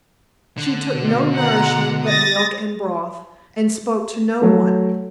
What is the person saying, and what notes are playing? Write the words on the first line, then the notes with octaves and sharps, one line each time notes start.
She took no nourishment but milk and broth and spoke to no one.
D3
B2
F#5 A#5
D#6 A6 A#6
F#3 A3